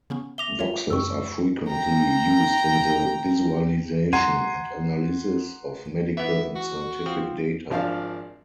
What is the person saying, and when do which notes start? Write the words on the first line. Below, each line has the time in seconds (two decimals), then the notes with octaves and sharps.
Voxels are frequently used in the visualization and analysis of medical and scientific data.
0.10 C#3 B3 C#4
0.38 E5 D6 A#6 F7 G7
0.59 F4 C#5 E5
0.90 F#2 C4 C#6 E6
1.67 G5 A#5
4.13 F#5 A#5 C6 G#6 C7 D#7
6.17 E3 B3 E5
6.56 F#4
7.06 F3 C4
7.70 G#1 F3 D4 D5 F5